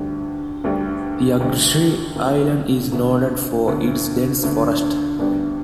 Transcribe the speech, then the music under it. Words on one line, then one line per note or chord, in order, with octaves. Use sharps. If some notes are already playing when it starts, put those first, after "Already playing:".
Yagishiri Island is noted for its dense forest.
Already playing: D2 D3 G3
D2 D3 G3
D2 D3 G3
D2 D3 B3
D2 D3 B3
D2 D3 B3
D2 D3 B3
D2 D3 G3 B3 D4